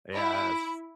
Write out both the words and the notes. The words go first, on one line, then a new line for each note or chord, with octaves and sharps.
Yeah, it's
E4